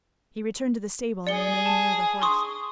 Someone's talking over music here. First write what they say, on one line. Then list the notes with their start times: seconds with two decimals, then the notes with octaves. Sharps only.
He returned to the stable and remained near the horse.
1.27 G#4 D5 C#7 G7
1.66 A5
2.22 C6 C#6 D#6